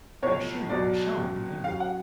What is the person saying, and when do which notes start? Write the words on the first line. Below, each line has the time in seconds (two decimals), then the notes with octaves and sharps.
"I assure you I shall not be angry with you."
0.22 B1 A2 F3 C#5
0.69 B1 B2 F#3 D5
1.17 C#2 B2 F#3
1.64 A1 A2 F#3 F5
1.80 F#5